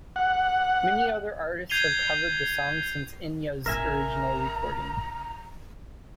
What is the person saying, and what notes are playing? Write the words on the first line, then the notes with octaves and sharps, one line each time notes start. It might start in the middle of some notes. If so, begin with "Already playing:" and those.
Many other artists have covered the song since Enya's original recording.
F#5
G6 G#6 C7 D#7 F7 G7
A1 C#3 A#4 E5 G#5 A#5